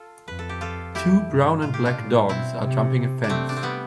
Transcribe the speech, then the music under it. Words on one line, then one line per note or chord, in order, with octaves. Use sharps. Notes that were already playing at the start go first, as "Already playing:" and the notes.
Two brown and black dogs are jumping a fence.
Already playing: F4 A4
F2 B4
A4
G4
F4 A4
E4 G4
G2
A2 F4
G4
D4 F4
A2
B2 C4 E4
C3
D4
C3 A3 C4
D4
C4
G3 B3